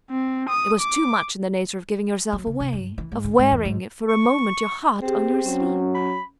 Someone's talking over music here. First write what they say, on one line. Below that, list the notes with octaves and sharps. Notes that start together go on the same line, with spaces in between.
It was too much in the nature of giving yourself away, of wearing--if for a moment--your heart on your sleeve.
C4
D#6
D6
F#3
C#3
C3
G2
E3
G#2
D3
G#2
E2
G#2
C#6
C4 G4 G#4
F#3 C#4
B5